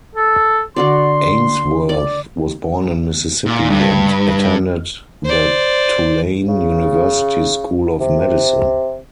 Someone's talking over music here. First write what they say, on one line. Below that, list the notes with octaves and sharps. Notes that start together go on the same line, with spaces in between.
Ainsworth was born in Mississippi and attended the Tulane University School of Medicine.
A4
D3 F#4 D5 C6
D5
A#2
G2
C5 D5
C#3
C3